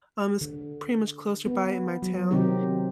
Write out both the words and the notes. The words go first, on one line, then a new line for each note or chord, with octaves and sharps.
Um, it's pretty much closer by in my town.
D3
B3
F#3
C3 D#3 F#3 C4 D#4 G4